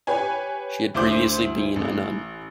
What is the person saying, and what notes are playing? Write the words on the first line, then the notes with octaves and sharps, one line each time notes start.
She had previously been a nun.
G4 B4 C#5 G#5
D2 E4 C5 D6 G6
A1